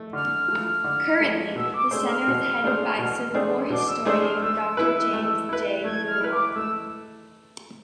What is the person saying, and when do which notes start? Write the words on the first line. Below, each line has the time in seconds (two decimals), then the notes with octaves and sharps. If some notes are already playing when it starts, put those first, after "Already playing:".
Currently the center is headed by Civil War historian Doctor James J. Broomall.
Already playing: A3
0.13 D3 F6
0.48 F3 A3
0.84 D3
1.20 F3 A3
1.56 B2 E6
1.74 D6
1.91 A3 D4 G#4 C5 E6
2.09 F6
2.28 B2
2.63 A3 D4 G#4 C5
2.99 B2
3.34 A3 D4 G#4 C5
3.70 B2 D6
3.88 E6
4.05 A3 D4 G#4 C5 E6
4.23 F6
4.42 A3 E6
4.77 E4 B4
5.13 A3
5.49 E4 B4
5.84 A3 G#6
6.08 F6
6.20 E4 B4
6.32 D6
6.56 A3 E6